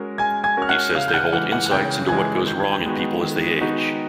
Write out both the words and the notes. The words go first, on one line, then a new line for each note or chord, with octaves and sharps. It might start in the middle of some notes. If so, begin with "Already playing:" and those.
He says they hold insights into what goes wrong in people as they age.
Already playing: G#3 C#4 F#4 A#4
G#3 G#5 G#6
G#5 G#6
C#4 F#4 A#4 F6
F#5 F#6
C#3 F5 F6
G6
F#5 F#6
E3 G#3 F#5 F#6
F#5 F#6
F#6
C#3 G5 G6
E3 G#3 G#5 G#6
D#3 G6
G#6
G5 G6
G#3 B3 D#4 F#4
D#3
G#3 B3 D#4 F#4